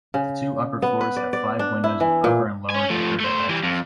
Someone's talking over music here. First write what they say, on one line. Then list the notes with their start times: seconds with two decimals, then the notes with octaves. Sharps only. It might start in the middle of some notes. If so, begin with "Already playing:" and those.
The two upper floors have five windows with upper and lower decorative edges.
0.14 C#3
0.82 B3
1.01 B4
1.16 D5
1.33 D5
1.59 D4
1.84 E4
2.00 E3
2.24 A#2
2.70 C#4 G#5
2.90 F3 A3
3.20 A3 C5
3.49 E3 G3
3.63 F2